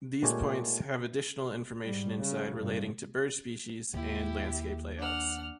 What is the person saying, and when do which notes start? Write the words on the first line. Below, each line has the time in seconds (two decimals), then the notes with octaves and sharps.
These points have additional information inside relating to bird species and landscape layouts.
0.22 A#2 G#3 A3 G4 C#5 G#5
1.85 G#2 G3
2.16 C#3
2.57 G2 C3
3.94 D#2 E4 G4
4.97 D4 F#5 F6